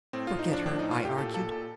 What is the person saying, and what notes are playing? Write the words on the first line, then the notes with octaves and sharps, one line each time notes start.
"Forget her," I argued.
A2 C4
A2 F4
D#4
F3 D4
A2 D4
A2 D#4
F4
A2 G4
A#2 A4
A#2 A4
A#2 A4